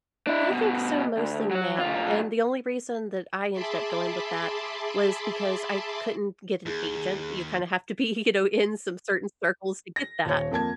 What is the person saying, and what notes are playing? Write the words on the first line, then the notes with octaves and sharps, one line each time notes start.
I think so mostly now, and the only reason that I ended up going with that was because I couldn't get an agent. You, kinda have to be, you know, in some certain circles to get that.
D4 E4
D2 B2
D2
F#3 C#5
B1 F4
G#4 E5 A5 B5 C6 D6
D#2 G#4
A#6
D#1 C#5
F2 A#3 A5 G#6